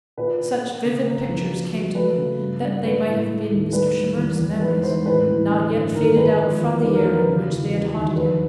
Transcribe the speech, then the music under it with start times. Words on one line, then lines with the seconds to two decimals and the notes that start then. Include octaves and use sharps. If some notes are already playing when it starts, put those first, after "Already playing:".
Such vivid pictures came to me that they might have been Mr. Shimerda's memories, not yet faded out from the air in which they had haunted him.
0.17 A#2 B4
0.40 A#2
0.62 A#3
0.84 C#3
1.07 A#3
1.29 A#1
1.50 F#3
1.73 F#3
1.95 A3 B4
2.17 C#3
2.39 G2
2.61 G2
2.83 G#3 B4
3.06 A2
3.28 A3
3.50 D#2
3.73 G3 B4
3.95 G3
4.17 E2
4.39 E2
4.61 G#2 B4
4.83 G#2 C5
5.06 A2 B4
5.27 A1
5.50 D3
5.72 G1
5.94 G#1 A#4
6.17 G#1 B4
6.39 F3
6.61 E2
6.75 A#4
6.83 D#3 B4
6.94 A#4
7.05 F#3 A#4
7.16 B4
7.27 C#3
7.50 E2
7.72 F#3
7.94 D#2
8.16 F#3 B4